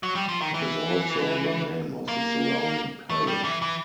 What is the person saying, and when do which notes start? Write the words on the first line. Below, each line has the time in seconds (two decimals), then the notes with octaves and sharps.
It is also the name of the surrounding parish.
0.03 F#3
0.16 G3
0.29 F3
0.41 D#3
0.54 E3
2.08 A#3
3.10 A3
3.28 G3
3.44 E3
3.62 E3